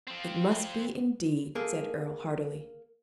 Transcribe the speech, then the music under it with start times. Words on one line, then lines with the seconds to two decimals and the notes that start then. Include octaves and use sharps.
"It must be, indeed," said Earle, heartily.
0.07 F3 C4
1.55 A#3 G#4 A4